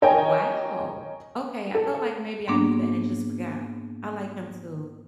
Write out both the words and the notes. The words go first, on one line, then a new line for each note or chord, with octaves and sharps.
Wow. Okay, I felt like maybe I knew that and just forgot. I like him too.
A#4 C#5 D#5 G5 G#5
A4
G#2 A#3 B3 D4